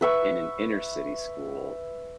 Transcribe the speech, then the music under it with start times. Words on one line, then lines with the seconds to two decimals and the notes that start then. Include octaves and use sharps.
in an inner city school
0.01 B4 E5 C#6